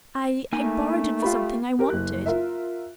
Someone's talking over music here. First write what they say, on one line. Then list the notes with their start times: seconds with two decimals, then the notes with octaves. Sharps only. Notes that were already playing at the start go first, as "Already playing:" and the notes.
I--I borrowed it for something I wanted.
0.53 A3 A#3 D#4 G#5
1.22 F4 G4 B5
1.79 G4 A#4
1.90 F#1 F#6
2.26 F4 A#4 E5